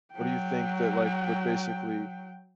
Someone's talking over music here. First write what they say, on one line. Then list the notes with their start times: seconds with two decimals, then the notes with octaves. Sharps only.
What do you think that, like, would basically
0.15 F#3 G5